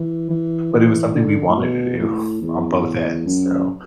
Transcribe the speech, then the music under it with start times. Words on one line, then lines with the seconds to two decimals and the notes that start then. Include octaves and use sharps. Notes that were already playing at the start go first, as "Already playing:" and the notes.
but it was something we wanted to do on both ends, so
Already playing: E3
0.30 E3
0.73 E3
1.15 D3
1.48 A2
1.57 B2
1.99 A2
2.42 E2
3.26 F#2